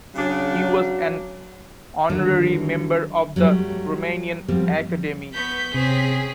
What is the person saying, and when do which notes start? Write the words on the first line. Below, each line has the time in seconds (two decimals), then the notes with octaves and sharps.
He was an honorary member of the Romanian Academy.
0.15 C#3 F#3 D4
2.09 D3 D#3 F#3 G3 D4 D#4
3.36 F#3 G3 A3 G4
4.48 F3 G3 B3 C4 G4
5.34 B3 C#6 G6 B6
5.74 C3 C4 C#4 G#4